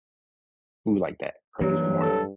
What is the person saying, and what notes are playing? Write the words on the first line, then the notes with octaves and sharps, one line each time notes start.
food, like that early in the morning.
G2 E3 F#3 A#3
A4